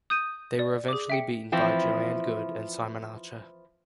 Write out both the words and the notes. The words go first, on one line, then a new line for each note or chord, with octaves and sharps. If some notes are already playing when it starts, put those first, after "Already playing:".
They were eventually beaten by Joanne Goode and Simon Archer.
D#6 G6 D#7
D5
G#4 D6
E5 G5 C#7
E3 F3 C4 E4